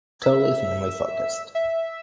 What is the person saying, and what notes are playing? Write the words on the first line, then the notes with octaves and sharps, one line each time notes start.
Totally family focused.
E5
E5